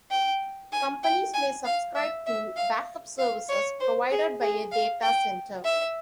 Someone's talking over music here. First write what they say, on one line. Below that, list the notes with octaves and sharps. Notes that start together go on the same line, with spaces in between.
Companies may subscribe to backup services provided by a data center.
G5
G#5
G5
G#5
F5
E5
E5
F5
F5
C#5
C5
G#4
G#4
F5
G5
E5